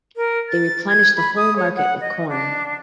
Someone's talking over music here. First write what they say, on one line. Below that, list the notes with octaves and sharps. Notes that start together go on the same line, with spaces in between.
They replenished the whole market with corn.
A#4
A6
G#6
B5
D#6
C#5
F#5
D#5
D4